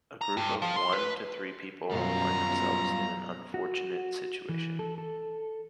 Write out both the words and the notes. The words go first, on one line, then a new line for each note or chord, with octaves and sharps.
A group of one to three people find themselves in an unfortunate situation.
A#5
G2
F3
C6
B4
F#2 B2 G3 F4 A#5
F#4
E3
A4
A4